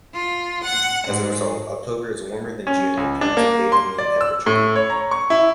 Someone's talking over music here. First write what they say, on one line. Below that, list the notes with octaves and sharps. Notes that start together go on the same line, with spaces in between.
As a result, October is warmer than June in terms of daily mean temperature.
F4
F#5
G#2
C#4
C#2
D4
A#3
C6
D5
E6
A2
C#5
A#5
C#6
E4